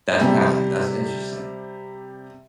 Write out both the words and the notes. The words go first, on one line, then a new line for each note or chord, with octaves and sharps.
That's kinda that's interesting.
C3 G3